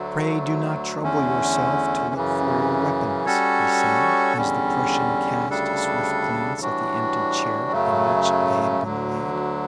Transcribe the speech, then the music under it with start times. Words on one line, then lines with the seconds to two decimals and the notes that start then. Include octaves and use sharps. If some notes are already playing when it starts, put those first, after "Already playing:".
"Pray do not trouble yourself to look for your weapons," he said, as the Prussian cast a swift glance at the empty chair in which they had been laid.
Already playing: D2 D3 F#3 A3
1.02 E2 D3 A3 C#4
2.14 F#2 C#3 E3
3.25 G3 C#4 F#4 A4 C#5
4.37 E2 D3 G3 C#4
5.49 D2 C#3 G3 D4 A4
6.61 A2 E3 G3 D4 F#4
7.72 F#2 C#3 F#3 A3
8.84 D2 D3 F#3